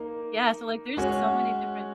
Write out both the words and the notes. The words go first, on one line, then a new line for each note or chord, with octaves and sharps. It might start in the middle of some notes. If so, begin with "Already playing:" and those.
Yeah so, like, there's so many different
Already playing: A#3 D#4 A#4
G#3 C#4 F#4 C#5